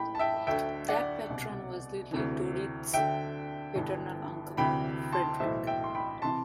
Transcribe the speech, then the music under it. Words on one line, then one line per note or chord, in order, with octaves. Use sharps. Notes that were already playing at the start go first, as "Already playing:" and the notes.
That patron was Little Dorrit's paternal uncle, Frederick.
Already playing: A1 A2 E3 G5 B5
A5
E5 G5
D2 D3 E5 G5
D5 F#5
C2 B2
D2 C3 E3
D2 D3 E5 G5
G1 G2 E3
D2 C3 E3 G5 B5
A5 C6
B1 A2 E3 C5 E5
E5 G5
C6
G5 B5
C3 E3 A5 C6